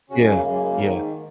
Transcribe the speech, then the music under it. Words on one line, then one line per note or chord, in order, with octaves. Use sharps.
Yeah. Yeah.
F#2 C#3 C#4 F#4
A#3 D#4
G#3 C#4
A#3
F#2 C#3 G#3
A#3
G#3
A#3
G#2 D#3